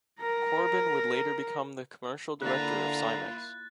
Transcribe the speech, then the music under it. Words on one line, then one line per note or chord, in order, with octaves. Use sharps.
Corbin would later become the commercial director of Simex.
A#4 A#5
D3 A#3 E4 F4 A#5 F#6 A6